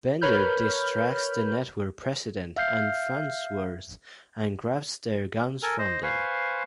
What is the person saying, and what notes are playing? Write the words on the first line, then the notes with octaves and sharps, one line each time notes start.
Bender distracts the network president and Farnsworth and grabs their guns from them.
A#4 B4 C#5 B5 F6 G6
E5 F5 F6 G6 C7
A4 A#4 G#5
C5 D#5
B4 C5 F5 G#5 C6 C#6